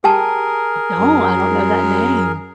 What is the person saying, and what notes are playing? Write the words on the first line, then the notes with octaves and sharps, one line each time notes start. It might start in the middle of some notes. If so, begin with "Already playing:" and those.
I don't, I don't know that name.
G4 G#4 A#4 G5 A5
F#2